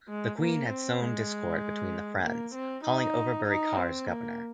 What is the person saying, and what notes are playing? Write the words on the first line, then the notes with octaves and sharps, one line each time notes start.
The Queen had sown discord between the friends, calling Overbury Carr's governor.
G#3
A#3
C4
G#3
A#3
C4
D#4
D#4
C4
A#3